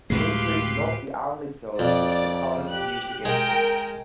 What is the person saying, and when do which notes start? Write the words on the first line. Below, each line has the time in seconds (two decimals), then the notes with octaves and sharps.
This was not the only charge which his opponents used against him.
0.10 D2 A2 G#3 F4 G4 B4 C7
1.79 F2 D5
2.69 G4 F#6
3.25 G#3 A#4 G5